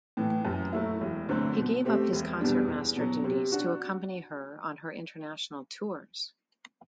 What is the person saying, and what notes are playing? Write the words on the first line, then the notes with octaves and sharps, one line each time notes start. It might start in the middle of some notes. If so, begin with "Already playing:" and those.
He gave up his concertmaster duties to accompany her on her international tours.
A2 E3
F#2
F#3 A3 E4
E1
D2 D3 F#3 C4
B2
A3 C4 G4
E1
E2 B2 G3 D4
E2
B2 F#3
C3
D4 F#4